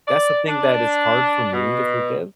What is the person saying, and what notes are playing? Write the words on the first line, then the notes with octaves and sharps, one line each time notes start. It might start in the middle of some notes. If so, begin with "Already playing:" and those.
that's the thing that is hard for me to forgive
D5
D4
B2